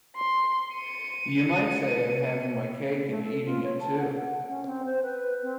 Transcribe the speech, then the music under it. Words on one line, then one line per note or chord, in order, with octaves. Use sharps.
You might say I'm having my cake and eating it too.
C6
C#7 D#7
A3
A4
F4
C#5
A5
F#5
F#5
C#4
C4
C5
B4
C4